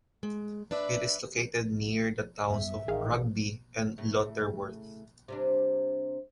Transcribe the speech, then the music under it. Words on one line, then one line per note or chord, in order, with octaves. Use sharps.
It is located near the towns of Rugby and Lutterworth.
G#3
D4 B4 D5 E5
F#2 G3 B3 E5
A1 D#3 G#4 F5
A2 C#3
C3 G3 D4